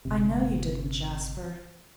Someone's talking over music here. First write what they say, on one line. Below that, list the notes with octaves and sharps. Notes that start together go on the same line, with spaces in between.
'I know you didn't, Jasper.
G1 C3